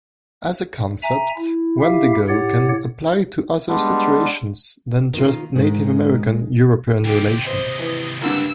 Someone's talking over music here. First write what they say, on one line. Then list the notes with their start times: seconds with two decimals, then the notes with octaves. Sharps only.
As a concept, wendigo can apply to other situations than just Native American-European relations.
1.02 E5 G#5 A#5
1.36 E4
1.81 E4 G4 E5 F5
2.28 A2 G4 C#5 F#5 A6
3.68 G3 G#3 B3 D4
5.14 D#3 A#3 F4
5.55 G#2 D#3 G#3
7.05 D#2 C3 G4
7.47 C5 D#5
7.79 E3
8.22 C#2 G2 D3 A#3 E6